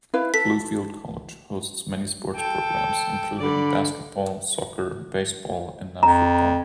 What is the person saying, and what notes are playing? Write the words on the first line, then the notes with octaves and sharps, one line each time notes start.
Bluefield College hosts many sports programs, including basketball, soccer, baseball, and now football.
E4 B4 F5
A4 B6
A4 G5
D3 D5 B5
F2 A#5